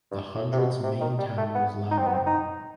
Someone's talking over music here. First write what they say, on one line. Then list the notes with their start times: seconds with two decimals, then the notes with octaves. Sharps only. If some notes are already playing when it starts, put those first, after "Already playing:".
The hundred's main town was Loughborough.
0.11 G2
0.35 A2
0.52 C3
0.59 B2
0.83 C3
1.01 D#3
1.19 G3
1.37 A3
1.55 B3
1.91 D#4
1.98 C4
2.07 B3
2.14 C4
2.27 D#4